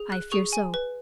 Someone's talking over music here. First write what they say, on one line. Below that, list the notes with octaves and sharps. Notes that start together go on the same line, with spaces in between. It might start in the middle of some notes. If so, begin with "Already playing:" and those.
"I fear so."
Already playing: G#4
F#6
G#4 C#6
G#5
B4